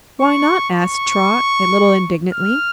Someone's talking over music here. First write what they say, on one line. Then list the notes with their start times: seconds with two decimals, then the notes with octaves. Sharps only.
"Why not?" asked Trot, a little indignantly.
0.21 C#6
0.75 C#6
2.33 F6